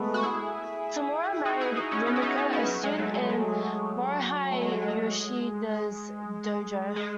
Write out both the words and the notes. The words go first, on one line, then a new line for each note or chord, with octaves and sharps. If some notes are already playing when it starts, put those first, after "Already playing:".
Tamura married Rumiko, a student in Morihei Ueshiba's dojo.
Already playing: G#3 A3 B3
F#4
E4 G#4
D#4 F#4
E4 G#4
D#4 F#4
C#4 E4
B3 D#4
E4
B3 D#4
B3 D#4
C#4 E4
F#3
G#3
F#3 A3
G#3
F#3
A3
G#3
F#3
G#3
G#3